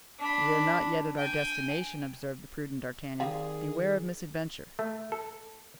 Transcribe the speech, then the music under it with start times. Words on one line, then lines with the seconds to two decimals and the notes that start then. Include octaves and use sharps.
"We are not yet at our destination," observed the prudent D'Artagnan; "beware of misadventure."
0.19 D4 B5
1.17 G5 G#5
3.20 D#3 G3 C4 G#4 F5
4.79 A3
5.12 A4